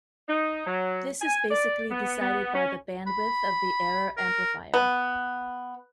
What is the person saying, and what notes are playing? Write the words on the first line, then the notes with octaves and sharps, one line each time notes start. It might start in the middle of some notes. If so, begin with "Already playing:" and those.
This is basically decided by the bandwidth of the error amplifier.
D#4
F#3
G#5
D5
B3
B3
C#4
B5
A#4
B3